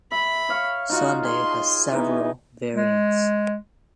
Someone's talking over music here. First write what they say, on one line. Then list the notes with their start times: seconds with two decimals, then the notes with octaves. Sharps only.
Sunday has several variants.
0.12 E5 B5
0.49 C#5 F5 C#6
0.89 D#4 F4 F#4
1.24 G#4 C6
1.92 E3 B3 D#4
2.76 G#3